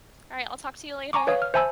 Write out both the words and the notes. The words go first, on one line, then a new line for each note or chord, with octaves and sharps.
Alright, I'll talk to you later.
G#5 A#5 C#6 D6
B4 C#5 F5 D#6
F6
C5 E5 G#5 A5 B5 E6